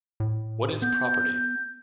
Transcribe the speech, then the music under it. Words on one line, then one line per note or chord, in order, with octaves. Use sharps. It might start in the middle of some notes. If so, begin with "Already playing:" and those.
What Is Property?
A2
B3 G6